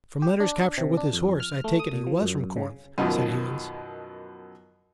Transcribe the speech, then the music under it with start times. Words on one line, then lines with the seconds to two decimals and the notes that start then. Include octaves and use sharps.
"From letters captured with his horse, I take it he was from Corinth," said Haines.
0.22 G4
0.40 D4
0.78 C3
0.97 D4
1.13 F2
1.40 F6
1.64 A3
1.79 D#6
1.93 A#2
2.07 F3
2.21 F#2
2.56 C#3
2.98 F#2 B2 D#3 F3 F#3